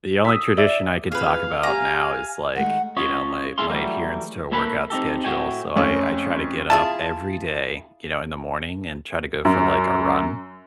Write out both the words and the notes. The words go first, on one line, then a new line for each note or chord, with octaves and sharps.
the only tradition I could talk about now is, like, you know, my my adherence to a workout schedule, so I I try to get up every day, you know, in the morning and try to go for, like, a run,
D#6 E6 B6
D5 E5
F2 E3 C4 G#4 B4 F5
G4 E5 F#5 G#5 A#5
D#3 G#3 A3 F#5
C#4 F4 C#5 D#5
E4 G#4 A4 F5 C6
E3 F#3 G3 A3 A#3
A2 A#3 A4 B4 B5
C4 D#4 G4 A4
A2 F#4 G5 G#5
F2 A3 C#4
E4 F4 G#4 A5
F#2